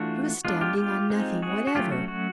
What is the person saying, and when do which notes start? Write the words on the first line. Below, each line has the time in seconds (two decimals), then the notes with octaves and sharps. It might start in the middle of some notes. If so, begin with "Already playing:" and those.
She was standing on nothing whatever!
Already playing: E3 A3 D4 F4 F#4
0.45 G#3 B3 D4 F4
0.61 F4 G4
0.78 F4 G4
1.10 G#3 C4 D#4
1.42 F#4 G#4
1.67 F#4
1.75 F#3 A3 C#4 F4 G4
1.92 F#4
2.08 F#4